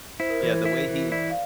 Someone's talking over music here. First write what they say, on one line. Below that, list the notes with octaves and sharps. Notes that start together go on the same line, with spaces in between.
yeah, the way he
E4 C5
A#4
E3 C5
E4
E3
E4 D5
F5